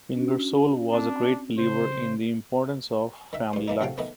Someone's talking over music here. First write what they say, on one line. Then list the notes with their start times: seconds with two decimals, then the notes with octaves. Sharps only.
Ingersoll was a great believer in the importance of family life.
0.15 C#4 D4 F#4
0.92 C4 D4
1.58 C#3 C5
3.33 D#3 E5
3.53 G2 C5
3.68 E3 A#3 D#4
3.81 A#1 C3 F#4 A4 F5 G5
3.98 D#3 A3 B3